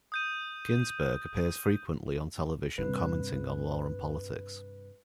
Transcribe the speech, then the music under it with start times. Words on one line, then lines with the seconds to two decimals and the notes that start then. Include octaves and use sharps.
Ginsberg appears frequently on television commenting on law and politics.
0.12 D#6 G6 D#7
2.78 G2 C3 B4